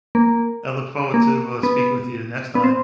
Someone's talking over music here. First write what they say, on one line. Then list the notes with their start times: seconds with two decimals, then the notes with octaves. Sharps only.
I look forward to, uh, speaking with you the next time.
0.15 A#3
1.14 A#3
1.63 B3
2.55 B3
2.64 C4